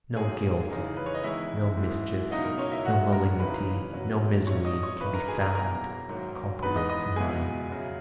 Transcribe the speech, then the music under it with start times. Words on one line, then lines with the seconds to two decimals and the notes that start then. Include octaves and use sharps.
No guilt, no mischief, no malignity, no misery, can be found comparable to mine.
0.16 G#2 F#3 A#3 G#4 G#5
0.70 C#3 E3 A#3 D#4
0.97 B4
1.06 C#5
1.15 D#5
1.24 E2 D#3 G#3 E4 E5
1.77 G#2 E3 G#3
2.31 C#2 B2 F#3 C#4 D#4 E4 D#5
2.45 A#4
2.58 C#4 C#5
2.72 E4 E5
2.85 A#2 G#3 B3 F#4 F#5
3.13 A#4 A#5
3.39 C#2 C#3 E3 A#3 D#4 B4 B5
3.94 B2 F#3 C#4
4.47 A#2 F#3 C#4 E4 C#5 C#6
4.65 D#5 D#6
4.83 C#5 C#6
5.01 F#2 D#3 A#3 B4 B5
5.14 A#4 A#5
5.28 G#4 G#5
5.41 A#4 A#5
5.55 B2 F#3 A#3 E4 A#4 A#5
6.09 G#2 D#3 F#3 A#3
6.63 G#2 E3 G#3 B3 D#4 B4 B5
6.76 D#5 D#6
6.89 D#5 D#6
7.16 C#2 B2 G#3 B3 E4 G#4 G#5
7.70 C#2 C#3 F#3